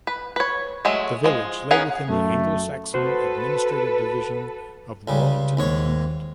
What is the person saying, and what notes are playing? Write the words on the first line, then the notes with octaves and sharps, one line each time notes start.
The village lay within the Anglo-Saxon administrative division of Wallington hundred.
B4
B4 C#5
F#3 G#3 A3
F3 G#3
B3 C#4 G#4 A#4 F#5
F#2 A3
F#4 A4 B4 C5
C#2 C#3 G3
D#2 G#2 C#5